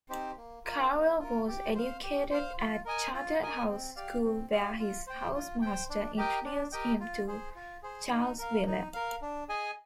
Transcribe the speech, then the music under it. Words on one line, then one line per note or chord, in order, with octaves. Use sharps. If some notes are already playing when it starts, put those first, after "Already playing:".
Caro was educated at Charterhouse School where his housemaster introduced him to Charles Wheeler.
C4 D#4 G4 C5
A#3
F4 A#4
A#3
F4 A#4
G4
C5 F5
G4
C5 F5
F4
A#4 D#5 G#5
F4
A#4 D#5 G#5
C4
G4 D5 F5
C4
G4 D5 F5
F4
C5 G5
F4
C5 G5
D4
G4 A#4 D#5 G5
D4
G4 A#4 D#5 G5
F4
G#4 C5
F4
G#4 C5
D#4
A#4 F5
D#4
A#4 F5
D4
G#4 D#5 G#5